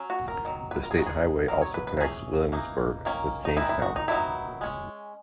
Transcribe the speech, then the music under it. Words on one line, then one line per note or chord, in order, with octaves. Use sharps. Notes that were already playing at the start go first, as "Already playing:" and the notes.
The state highway also connects Williamsburg with Jamestown.
Already playing: F#3 C#4
F#4
A#4
D#3 F#3
B4
A#4
G#4
G#3 D#4 F#4
G#4
D#3 F#3 B3 A#4
C#5
B4
B4
A#4
E3 A#3 C#4 G#4
E3 A#3 D#4
D#3 A#3 C#4
D#4
D#3 G#3 D#4 E4
E4
F#4
D#4
D#3 F#3 B3 D#4 E4
G#3 C#4